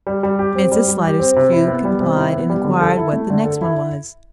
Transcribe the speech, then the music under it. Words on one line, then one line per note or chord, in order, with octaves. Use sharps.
Mrs Sliderskew complied, and inquired what the next one was.
G3
G3
G4
C4
G3
G3
G4
C4
C3
E4
B3
G3
C3
E4
B3
G3
D3
A4
E4
A3
D3
A4
E4